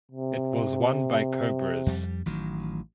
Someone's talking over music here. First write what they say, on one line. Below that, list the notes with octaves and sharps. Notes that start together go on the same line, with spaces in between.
It was won by Cobras.
C3
F2 G3
A1 D#3 F#3